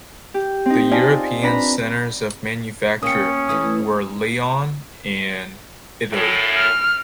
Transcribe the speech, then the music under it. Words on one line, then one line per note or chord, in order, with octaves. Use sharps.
The European centres of manufacture were Lyon and Italy.
G4
C4 D#4
D#4 F4 D5 G#5 A5
D4 B4 A#5 B5
A#3 C#4 G4 D#6 C#7
E3 A3 E4 D#6
F#2 A2
F6